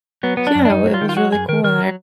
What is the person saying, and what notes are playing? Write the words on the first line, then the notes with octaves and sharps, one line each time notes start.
Yeah, it wa it was really cool, and
F#3 B3
F#3 B3
D4
F#2
D4
F#2 D#4
F#3
F4
D#3
F4
F#3 F#4
F#2 G#4
D#3 A#4
D#3 A#4
F#3